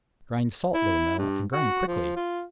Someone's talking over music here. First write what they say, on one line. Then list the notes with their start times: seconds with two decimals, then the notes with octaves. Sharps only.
"Grind salt, Little Mill, and grind quickly!"
0.74 E4
1.18 G2
1.53 F#4
1.87 F3
2.16 F4